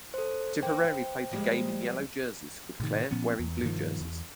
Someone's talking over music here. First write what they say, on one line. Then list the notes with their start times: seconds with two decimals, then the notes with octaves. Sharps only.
Tipperary played the game in yellow jerseys with Clare wearing blue jerseys.
0.14 A4 C5
0.62 A#3 C5 G5
0.84 B4
1.31 F3 G3 G#3
2.80 A2 C3 D#3
3.11 A#2 F3 B3 C#4
3.40 E2
3.62 G2 B2 D#3 F3
4.01 E2